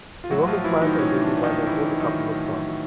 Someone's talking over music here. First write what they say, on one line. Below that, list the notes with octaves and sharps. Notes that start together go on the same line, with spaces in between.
A woman smiles at a baby while an older couple looks on.
F4
A2 F#3 F#4
F3 F4
E3 F#3 E4
D#3 D#4
A2 C#4
D4
F#3
D#3 D#4
A2 E3 E4
D#3 F#3 D#4
A2
F#3